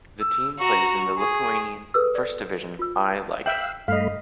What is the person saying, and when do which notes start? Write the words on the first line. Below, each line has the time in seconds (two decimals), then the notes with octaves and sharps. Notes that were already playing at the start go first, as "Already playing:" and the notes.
The team plays in the Lithuanian first division I Lyga.
0.21 E6
0.59 F#4 A#5 C#6
1.18 G#4
1.94 G#4 A4 B4 E6
2.15 D5
2.79 F4 E6
3.46 E5 F5 G5 E6 F#6
3.88 G2 A3 D#5 F5 B5